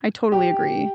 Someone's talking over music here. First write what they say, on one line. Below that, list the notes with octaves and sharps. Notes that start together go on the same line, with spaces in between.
I totally agree.
G4